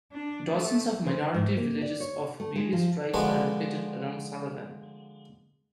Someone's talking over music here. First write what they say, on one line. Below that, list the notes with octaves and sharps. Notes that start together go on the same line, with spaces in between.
Dozens of minority villages of various tribes are located around Salavan.
D4
A3
C5
G#2
A#3
D5
C#5
A3
G#3
F3
D3 F3 G#3 B3 F#4 B4